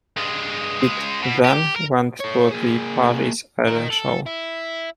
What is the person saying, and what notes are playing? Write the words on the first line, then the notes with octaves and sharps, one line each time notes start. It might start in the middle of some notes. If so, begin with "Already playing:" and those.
It then went to the Paris Air Show.
G2 G#3
C#2 G#3
B2
G4
A#4
A4 C#5
A#3 G#4
D#4 A#4
A4
E4